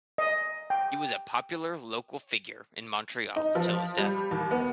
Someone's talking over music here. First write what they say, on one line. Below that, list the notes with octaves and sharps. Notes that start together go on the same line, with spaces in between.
He was a popular local figure in Montreal until his death.
D#5
G5
D#4
F3
G3
D#2
B3